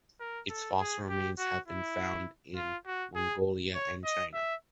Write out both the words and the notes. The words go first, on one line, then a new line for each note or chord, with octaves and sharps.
Its fossil remains have been found in Mongolia and China.
A#4
A4
G#4
G4
F#4
E4
F4
F#4
G#4
C#5
D#5
E5